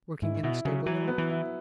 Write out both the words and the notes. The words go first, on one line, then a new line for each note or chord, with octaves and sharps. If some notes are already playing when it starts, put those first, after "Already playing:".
"Working in a stable-yard?"
G#2 E4
B2 E4
C#3 F#3
E3 F#3
B3
E3
E4